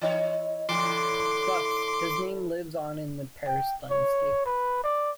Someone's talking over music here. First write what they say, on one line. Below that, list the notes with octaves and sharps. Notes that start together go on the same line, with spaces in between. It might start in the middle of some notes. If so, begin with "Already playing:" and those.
Thus, his name lives on in the Paris landscape.
E3 D#4 C#5
A2 D3 E3 C6 D6
G5
C#5
B4
D5